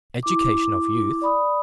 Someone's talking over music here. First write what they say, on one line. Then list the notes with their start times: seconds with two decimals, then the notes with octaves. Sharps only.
Education of Youth.
0.23 E4 D6
1.22 D5 B5 D#6